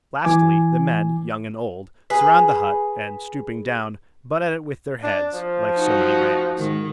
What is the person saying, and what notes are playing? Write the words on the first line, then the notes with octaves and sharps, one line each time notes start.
Lastly, the men, young and old, surround the hut, and, stooping down, butt at it with their heads, like so many rams.
E3 G#5 D6
G#4 B4 G#5
D4
F3
D#4 F#4
G#2 D#3